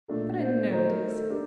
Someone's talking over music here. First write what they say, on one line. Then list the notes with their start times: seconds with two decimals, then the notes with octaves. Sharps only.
But I know it is.
0.08 A#2 A3 D4 A4
0.39 C5
0.69 D#3 A3 D#4 C5
0.90 A#4
1.09 A4
1.30 A#3 D4 G4